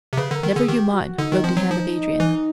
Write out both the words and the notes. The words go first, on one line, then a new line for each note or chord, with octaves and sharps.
"Never you mind," wrote the hand of Adrian.
C3
C#3 B4
D3 A#4
D#3
G#4
D3
D#3 G4
F#4
D3 D#4
D#3
F3 C4
F#3
F3 D#4
E3